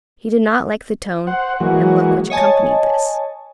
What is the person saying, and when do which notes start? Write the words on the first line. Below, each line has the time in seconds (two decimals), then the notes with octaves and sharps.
He did not like the tone and look which accompanied this.
1.27 C5 F#5
1.60 E3 F#3 G#3 A#3 F#4
2.30 C#5 D#5 G#5 A5